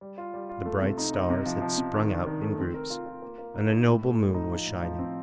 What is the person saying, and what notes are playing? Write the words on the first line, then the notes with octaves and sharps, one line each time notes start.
The bright stars had sprung out in groups, and a noble moon was shining.
G3
F4
G3
F4
A3
C3
D#4
D#4
C3
F3
F3
C3
D#3
D4
D#3
A3
C4
A#4
F4
F4
A#3
A#3
D#4
D#4
A2
A3
A2
D#4
F3
A2
F3
C4